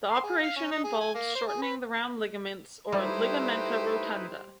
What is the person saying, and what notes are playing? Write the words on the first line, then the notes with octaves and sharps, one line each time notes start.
The operation involved shortening the round ligaments, or "Ligamenta rotunda".
C6
G#4
F5
C#4
D#4
G#4
G#5
A#3
C5
G#4
B4
G3 A3 D#4 E4 G4 B4 C5